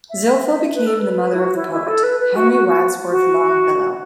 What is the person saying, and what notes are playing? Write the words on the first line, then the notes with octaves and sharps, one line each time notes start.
Zilpah, became the mother of the poet Henry Wadsworth Longfellow.
E5
B4
A4
B4
E4
F#4
E4
E4
A4
B4
B4
F#4
F#4
F#4
F#4